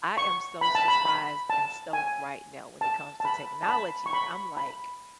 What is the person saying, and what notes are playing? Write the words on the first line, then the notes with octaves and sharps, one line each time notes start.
I am so surprised and stoked right now when it comes to technology. I'm like,
C#6
B5
A5
B5
B5
A5
G#5
A5
A5
B5
A5
B5
C#6
B5
B5